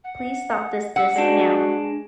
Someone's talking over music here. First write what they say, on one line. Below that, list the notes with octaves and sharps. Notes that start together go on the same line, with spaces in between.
Please stop this disc now.
F#5
F#5 E6
G#3 D4 F#4